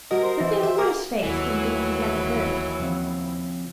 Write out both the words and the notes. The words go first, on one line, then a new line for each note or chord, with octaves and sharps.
But there are worse fates than being a yellow bird.
G3 F#4 A#4 D#5
C5
E3
E5
A#3 A#4
D#2 D#3 E3 F#3 E4 A4 G#5
C#3 F3 C4